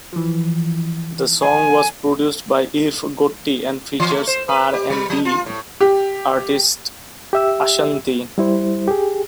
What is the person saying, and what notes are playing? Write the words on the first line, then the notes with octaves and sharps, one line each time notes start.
The song was produced by Irv Gotti and features R and B artist Ashanti.
E3 F3
G#5
E3
A3
C5
B4
G4
G3
F#3
F4
A2
G4
G4 E5 E6
G3 E4 C5
G4 G#4